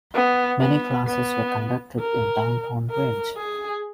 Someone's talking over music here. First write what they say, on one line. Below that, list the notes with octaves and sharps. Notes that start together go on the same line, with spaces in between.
Many classes were conducted in downtown Rindge.
B3
B3
B3
A#4
A#4
G#4